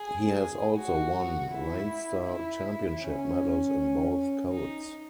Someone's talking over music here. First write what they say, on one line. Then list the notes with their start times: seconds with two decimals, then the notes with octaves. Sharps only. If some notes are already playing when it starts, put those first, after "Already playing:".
He has also won Leinster Championship medals in both codes.
Already playing: G#4
0.77 F#4
1.50 E4
2.26 E4
3.00 C#4
4.49 D#4